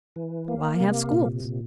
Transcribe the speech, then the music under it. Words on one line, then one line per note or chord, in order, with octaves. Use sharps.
"Why have schools?"
E3
A#3
C3
A#2
A#2